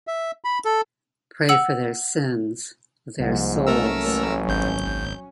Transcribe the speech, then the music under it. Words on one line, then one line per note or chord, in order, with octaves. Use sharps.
Pray for their sins, their souls.
E5
B5
A4
F#5 E6 F#7
C2 G#2 F3 G3 A#3 F#5
F#3 A3 C#4 A#4 E6
A1
G#1 G6